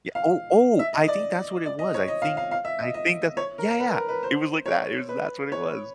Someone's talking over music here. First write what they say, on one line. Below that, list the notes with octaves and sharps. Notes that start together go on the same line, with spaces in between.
Ye oh! Oh! I think that's what it was. I think I think that yeah, yeah. It was like that it was that's what it was.
F5
E5
D#5
D5
D5
D#5
C#5
D#5
F5
F5
F5
E5
D#5
D#5
C#5
A#4
A#4
B4
A#4
B4
C5
C#5
B4
C#5